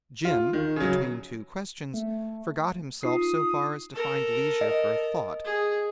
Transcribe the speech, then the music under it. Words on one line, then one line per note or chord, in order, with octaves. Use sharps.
Jim between two questions forgot himself so far as to find leisure for a thought.
F4
D#3
C#3 F#3
A3
D#4 F4 D#6 C7
A4 A#4
D#5
G#4